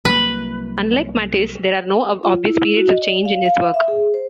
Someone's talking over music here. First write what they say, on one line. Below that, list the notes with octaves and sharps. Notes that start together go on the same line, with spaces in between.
Unlike Matisse, there are no obvious periods of change in his work.
C2 F#3 A#3 B4
F4
E4
F#4
D#5
D5
F5
F5
E5
G#4
C5